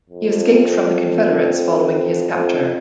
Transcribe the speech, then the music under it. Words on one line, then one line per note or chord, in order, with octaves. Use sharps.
He escaped from the Confederates following his capture.
F2
F2